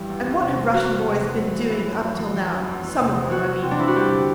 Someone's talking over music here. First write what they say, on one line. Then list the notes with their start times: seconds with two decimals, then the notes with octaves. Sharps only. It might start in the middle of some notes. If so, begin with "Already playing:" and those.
And what have Russian boys been doing up till now, some of them, I mean?
Already playing: G2 E3 E4 G4
0.09 E2
0.26 E2
0.42 C3
0.58 E3
0.74 E2 F#4
0.90 E2
1.06 C3
1.22 E3
1.38 F#2
1.54 E3
1.70 E3
1.86 F#2
2.03 F#2
2.18 E3
2.36 E3
2.51 F#2
2.67 E2
2.83 E2
3.00 C3
3.15 E3
3.31 E2 F#4
3.48 E2
3.62 C3 C4
3.71 D4
3.79 E3 E4
3.88 F#4
3.95 G2 G4
4.12 D3